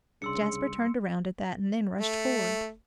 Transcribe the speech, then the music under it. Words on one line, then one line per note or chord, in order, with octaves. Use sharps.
Jasper turned around at that--and then rushed forward.
C2 C#3 G3 D4 C6 E6 C#7
A3